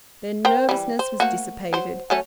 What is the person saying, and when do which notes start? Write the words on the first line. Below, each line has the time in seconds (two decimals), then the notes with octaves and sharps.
Their nervousness was dissipated.
0.45 A#4 C5 G5
0.69 E3 G3
0.99 C5
1.20 A3 A#3 F#4
1.73 F#3 C5
2.10 F#3 A3 C#4